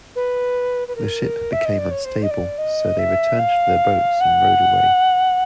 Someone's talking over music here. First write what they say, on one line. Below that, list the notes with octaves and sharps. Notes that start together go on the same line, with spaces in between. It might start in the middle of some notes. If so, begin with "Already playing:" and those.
The ship became unstable, so they returned to their boats and rowed away.
B4
B4
A#4
E5
D#5
D5
C#5
C5
D#5
D5
D#5
E5
F5
F#5